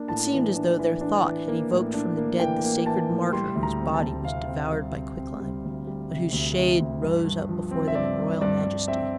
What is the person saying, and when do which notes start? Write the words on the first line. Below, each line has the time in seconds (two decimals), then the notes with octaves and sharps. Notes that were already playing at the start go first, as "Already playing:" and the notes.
It seemed as though their thought had evoked from the dead the sacred martyr whose body was devoured by quicklime, but whose shade rose up before them in royal majesty.
Already playing: A#3 D4
0.08 A2 A5
0.33 E3
0.56 D4
0.79 E3
1.01 D4
1.24 E3
1.48 A#3
1.71 A2
1.93 D4
2.18 A#3
2.40 E3 G5
2.64 A#3
2.86 E3 A5
3.09 A2
3.33 G3 C6
3.56 D2
3.63 A#5
3.79 C4
3.94 A5
4.02 D2
4.25 C3 F5
4.48 C4
4.72 G3
4.94 C4
5.17 C4
5.40 G3
5.64 D2
5.87 G3
6.10 C3
6.33 D2
6.57 C3
6.80 D2
7.02 G2
7.25 G2
7.49 F3
7.71 C4
7.88 E5
7.95 G2 D5
8.19 G2
8.41 G2 D5
8.64 G2
8.88 C4 E5